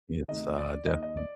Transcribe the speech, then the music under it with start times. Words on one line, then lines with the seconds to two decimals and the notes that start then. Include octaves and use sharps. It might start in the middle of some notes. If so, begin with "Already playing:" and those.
it's, uh, definite
0.28 D2 C3 D#3 D#5
0.58 D5
0.87 D#2 D#3 D#5
1.03 D#5
1.17 D5